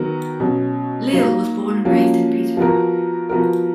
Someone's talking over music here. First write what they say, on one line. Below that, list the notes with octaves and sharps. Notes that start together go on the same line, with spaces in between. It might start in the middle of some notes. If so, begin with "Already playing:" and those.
Leal was born and raised in Peterborough.
Already playing: D#3 F#3 B3 F#4 A#4
B2 F#3 C#4
F#3 A#3 D#4
F3 A#3 C#4 F#4
F3 B3 F#4 A#4
F3 B3 F#4 A#4